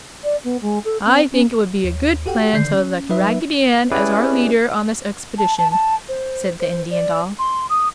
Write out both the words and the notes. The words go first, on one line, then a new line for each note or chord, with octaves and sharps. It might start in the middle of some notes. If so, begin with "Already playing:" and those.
"I think it would be a good plan to elect Raggedy Ann as our leader on this expedition!" said the Indian doll.
D5
B3
G#3
A4
C4
C#4
D#2
F#4 G4 A4 F#5 G5
D3 D#3 D5 G6 C7
C#4
F#3 D#4 B4 E5
C#4 E4 G4 G#4 B4 D5
A5
A5
A5
C5
C5
D5
C6
D#6